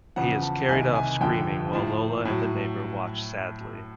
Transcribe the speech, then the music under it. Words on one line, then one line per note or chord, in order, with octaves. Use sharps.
He is carried off screaming while Lola and the neighbor watch sadly.
E2 C#3 F3 F#5
A5
C2 C3 D#3 G#5
G#5
F2 D3 F3 G5
A2 F3
A2 F#3